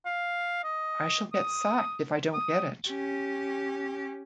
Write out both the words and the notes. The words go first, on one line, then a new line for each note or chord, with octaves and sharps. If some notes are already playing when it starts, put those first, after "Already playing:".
I shall get sacked if I don't get it.
F5
D#5
D#6
D#6
C#4 G4